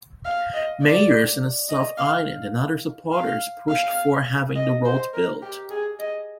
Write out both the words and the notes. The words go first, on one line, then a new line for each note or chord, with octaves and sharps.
Mayors in the South Island and other supporters pushed for having the road built.
F5
D#5
D5
D#5
F5
F5
F5
D#5
C5
A#4
G4
G#4
D#5